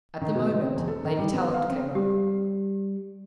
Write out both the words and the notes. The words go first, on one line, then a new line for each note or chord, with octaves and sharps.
At the moment, Lady Tallant came up.
D#3
B2
D#5
C4
E2
A4
D#3
G3
B3
F5
C4
G3 G4